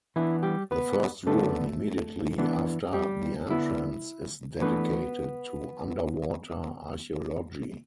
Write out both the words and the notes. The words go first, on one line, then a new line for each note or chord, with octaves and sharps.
The first room immediately after the entrance is dedicated to underwater archeology.
E3 B3 D4 E4
G3 G4
B3 B4
D3 A3 B3 D4 A4
E3 B3 D4
G3 G4
D3 B3 D4 E4
E3 A3 B3 D4 B4